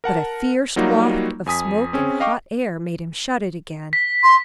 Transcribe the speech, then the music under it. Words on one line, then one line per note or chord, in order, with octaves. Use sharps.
But a fierce waft of smoke and hot air made him shut it again.
A#4 F#5 A5
F#3 G3 A#3 D#4 F4 F#4
F2 G#5 D#6 B6
C4 C#4 G#4
D#5 F5 G5 C#6 D6
B6
C6